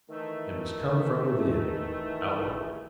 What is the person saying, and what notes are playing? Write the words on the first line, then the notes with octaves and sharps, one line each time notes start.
It must come from within, outward.
D#3 E3 A3